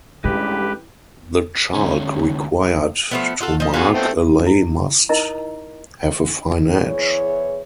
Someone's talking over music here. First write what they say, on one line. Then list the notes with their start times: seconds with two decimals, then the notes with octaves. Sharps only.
The chalk required to mark a lay must have a fine edge.
0.24 A1 G2 G#3 E4 G4 B4
1.75 D2 C#4
3.11 F3 A3 B3
3.41 F4 F#4 A4
3.60 F3 D#5
3.74 B3 F4 F#4 G#4 F5
3.95 A3 C4
4.47 E4
5.09 D#4 E4 A#4 D#5 A#5
6.81 E2 E3 G#4 C#5